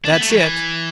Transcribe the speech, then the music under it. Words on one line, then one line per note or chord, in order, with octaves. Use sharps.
"That's it."
D4
B3
A3
F#3
E3